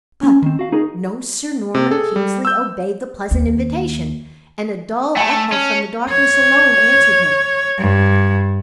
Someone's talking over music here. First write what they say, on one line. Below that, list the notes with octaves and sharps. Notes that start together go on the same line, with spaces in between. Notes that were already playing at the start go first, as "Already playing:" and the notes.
But no Sir Norman Kingsley obeyed the pleasant invitation, and a dull echo from the darkness alone answered him.
C#4
D#3 C4
F#4 F5
D#4 G#4 A#4
C3
G#4 A4
G3
E6 G6
D#2
A3 G#5 A5
C#4
C#5
G2